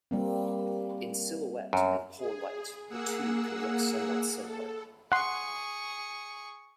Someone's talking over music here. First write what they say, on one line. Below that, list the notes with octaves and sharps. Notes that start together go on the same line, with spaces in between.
In silhouette and poor light, the two can look somewhat similar.
G3 A#3 C4
F#2
G#4
A#3 G#4 F#5 E6
A4
G#4 F#5 C6 C#6